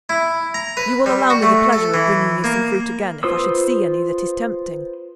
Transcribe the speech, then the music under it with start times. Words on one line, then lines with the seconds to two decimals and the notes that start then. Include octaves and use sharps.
You will allow me the pleasure of bringing you some fruit again, if I should see any that is tempting.
0.09 E4
0.54 A#5
0.77 B4
1.06 G3
1.30 F#4
1.42 A3
1.73 A4
1.94 E3
2.44 A#3
3.23 F4 B4 C5 D#6 E6